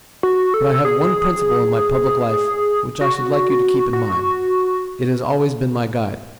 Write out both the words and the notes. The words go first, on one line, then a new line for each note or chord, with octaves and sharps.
But I have one principle in my public life, which I should like you to keep in mind; it has always been my guide.
F#4
A4
G#4
F#4
F#4